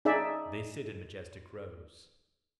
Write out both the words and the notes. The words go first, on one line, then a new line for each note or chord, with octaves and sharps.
They sit in majestic rows.
D#4 G#4 D5 E5